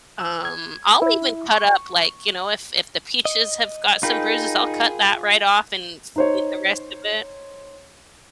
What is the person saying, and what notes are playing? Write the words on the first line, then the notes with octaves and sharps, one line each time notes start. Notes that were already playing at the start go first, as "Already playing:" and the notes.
um I'll even cut up, like, y'know, if if the peaches have got some bruises, I'll cut that right off and f eat the rest of it.
E6
G#6
E4
C#6
D#5
D#4 F4 G#4 A#4 G5 B5
D#4 C5 C#5